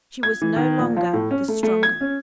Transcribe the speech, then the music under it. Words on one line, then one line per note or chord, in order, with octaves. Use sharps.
She was no longer the stronger.
G#6
E3
D#3
A#1
F3
A2
C#4
A3
A3
G#6
C#4